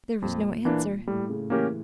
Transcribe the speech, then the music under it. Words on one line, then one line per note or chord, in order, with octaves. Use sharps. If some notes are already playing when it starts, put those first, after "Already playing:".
There was no answer.
F2 A#2
E3 A#3 D4
A2 G3
C#3
E3 A#3 C#4 G4 A#4